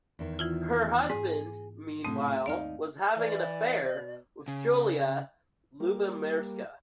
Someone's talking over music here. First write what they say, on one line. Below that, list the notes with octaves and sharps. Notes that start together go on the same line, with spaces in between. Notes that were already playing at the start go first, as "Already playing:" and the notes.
Her husband, meanwhile, was having an affair with Julia Lubomirska.
E2 D#3
E3 E4 F4
G#2 G#4
A2 C3 A3 C4 D#6
D#2 D#4 D5 F5 F6
E3 D5
B2
C#3
G3 A#3